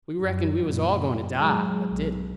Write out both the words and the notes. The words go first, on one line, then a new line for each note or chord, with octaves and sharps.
We reckoned we was all going to die, but didn't.
F#2
F#2 A#2
F#3 G#3
B1